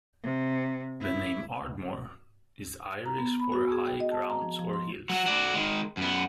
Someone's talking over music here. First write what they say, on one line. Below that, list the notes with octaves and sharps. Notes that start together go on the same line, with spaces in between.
The name "Ardmore" is Irish for high grounds or hills.
C3
E4
A#5
B3
B5
F#4
G#4
G5
D#5
A5
A#5
F3
F3
C6
F#3 F#4
F#4 D5
D#3 G#3
F#2 B3